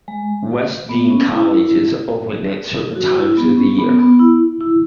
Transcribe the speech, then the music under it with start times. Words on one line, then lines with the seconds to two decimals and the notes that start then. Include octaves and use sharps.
West Dean College is open at certain times of the year.
0.08 G#3
0.89 B3
1.11 C#4
1.31 E4
2.95 F#4
3.17 E4
3.37 B3
3.57 C#4
3.78 B3
3.99 B3
4.19 E4
4.61 E4